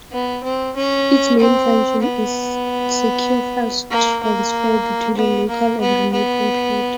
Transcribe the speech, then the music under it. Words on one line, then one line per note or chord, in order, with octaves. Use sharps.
Its main function is secure file transfer between a local and a remote computer.
B3
C4
C#4
C4
B3
A#3
A#3
B3
A#3
B3
B3